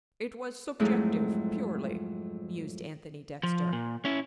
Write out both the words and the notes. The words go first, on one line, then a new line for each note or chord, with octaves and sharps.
"It was subjective, purely," mused Anthony Dexter.
F2 G#2 F#3 G#3 A3 E4
F3
A#2
C#4 E4